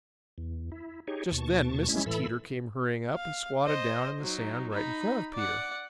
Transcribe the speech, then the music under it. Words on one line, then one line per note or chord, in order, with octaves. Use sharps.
Just then Mrs. Teeter came hurrying up and squatted down in the sand right in front of Peter.
E2
E4
D#4 G4 G#4 C#5
D#2 B2 A5 C#6
G#3 C#4 E4
A2 E3 A4 B5 E6
F5
C5 D#5
F#3 D#4
D#4 B5
D5 F#5